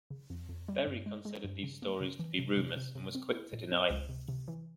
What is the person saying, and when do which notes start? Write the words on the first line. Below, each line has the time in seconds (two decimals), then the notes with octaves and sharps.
Berry considered these stories to be rumors and was quick to deny them.
0.10 C#3
0.30 F2
0.49 F2
0.68 G3
0.87 G2
1.06 G#3
1.25 G#3
1.44 G2
1.63 C#3
1.82 A#3
2.01 C#3
2.19 E3
2.39 C3
2.57 C3
2.76 C3
2.95 C3
3.15 C4
3.33 E4
3.53 A#2
3.72 C4
3.90 C#2
4.09 C3
4.28 C3
4.48 E3